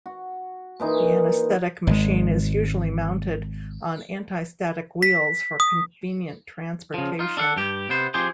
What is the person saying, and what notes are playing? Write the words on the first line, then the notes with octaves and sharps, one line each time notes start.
The anaesthetic machine is usually mounted on anti-static wheels for convenient transportation.
F#4
A#2 E3 D#4 C6
G#1 G#3
B6
D#6
C#3 F3
D#4 F4
D4 A4 F5 F#5
G2 G4
C3 B3 C5
F3 C4 G4 G#4 C5